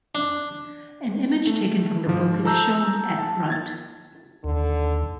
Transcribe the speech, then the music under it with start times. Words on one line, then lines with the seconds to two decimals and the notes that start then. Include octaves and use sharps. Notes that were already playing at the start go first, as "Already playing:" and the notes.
An image taken from the book is shown at right.
0.15 D4
1.47 A3
2.06 G#2 F3
2.45 A4 A5 A#5 E6 G6
3.19 A5
3.50 G#6 A6
4.44 D#2 D3